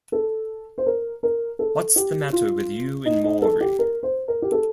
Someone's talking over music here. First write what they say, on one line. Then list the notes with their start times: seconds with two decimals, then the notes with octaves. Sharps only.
What's the matter with you and Maury?
0.12 A4
0.78 C5
0.86 A#4
1.23 A#4
1.59 A4
1.96 G4
2.33 F4
3.06 D#4
3.24 D#4
3.42 A4
3.61 G4
3.79 A#4
4.03 C5
4.28 A#4
4.42 G4
4.52 A4